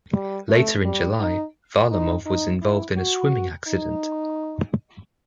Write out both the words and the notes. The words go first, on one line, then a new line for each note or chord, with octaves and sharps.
Later in July, Varlamov was involved in a swimming accident.
G3
A3
G3
D#4
D#4
D#4
E4
F#4
D#4